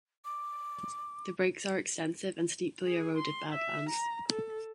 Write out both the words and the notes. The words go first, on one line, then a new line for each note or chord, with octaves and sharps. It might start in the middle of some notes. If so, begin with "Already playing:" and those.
The breaks are extensive and steeply eroded badlands.
D6
G#4
C6
E5
A#5
A4